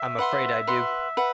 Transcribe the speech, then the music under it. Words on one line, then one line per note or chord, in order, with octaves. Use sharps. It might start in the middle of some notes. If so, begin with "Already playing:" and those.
I'm afraid I do.
Already playing: E5
B4 F#5 C6
B4 F#5 C6
B4 F#5